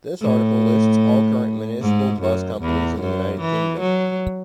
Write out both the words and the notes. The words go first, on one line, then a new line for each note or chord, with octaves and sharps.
This article lists all current municipal bus companies in the United Kingdom.
A2
G#2
F#2
E2
F#2
E3
F#3